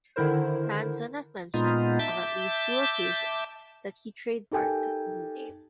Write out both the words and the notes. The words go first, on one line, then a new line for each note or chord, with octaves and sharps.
Manson has mentioned on at least two occasions that he trademarked the name.
D3 D#3 E4 A#4 C5
A#2 G#3 B3 D#4 F4
E5 A5 D6 G6
D#4 G4 A4 A#4 G5 G#5